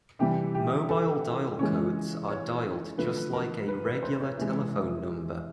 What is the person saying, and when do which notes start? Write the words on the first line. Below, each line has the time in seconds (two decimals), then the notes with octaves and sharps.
Mobile dial codes are dialed just like a regular telephone number.
0.19 C3 E3 G3 G4
0.55 G4
0.89 A4
1.59 C#3 E3 G#3 C#5
2.28 C#5
2.98 D3 F3 A3 B4
3.33 A#4
3.68 B4
3.86 B4
4.03 C5
4.20 C#5
4.37 C3 E3 G#3